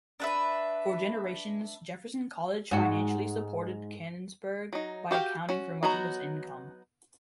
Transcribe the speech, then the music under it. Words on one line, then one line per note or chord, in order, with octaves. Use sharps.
For generations, Jefferson College financially supported Canonsburg by accounting for much of its income.
D4 B4 E5
G#2 F#4
F#3 D#4
F#4 G4 C#5 F5 G5
C#4 F#4
F#3 B3 D#4 F#4 A#5